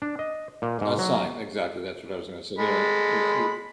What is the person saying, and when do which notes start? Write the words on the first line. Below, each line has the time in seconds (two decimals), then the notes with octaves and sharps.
A sign, exactly. That's what I was gonna say, you know.
0.02 D4
0.19 D#5
0.62 A#2
0.81 G#2
0.99 F#3
2.58 G#3 A4 B5